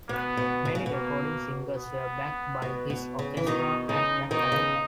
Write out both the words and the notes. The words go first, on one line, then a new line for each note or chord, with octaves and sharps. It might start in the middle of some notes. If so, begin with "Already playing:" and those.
Many recording singers were backed by his orchestra at that time.
B2 B3
B2
B2
C#3
B2
A#3
B3
B2
B2
C#3
E3
B2 D#3 D#4
C#3 D#4
B2 D#3 D#4
C#3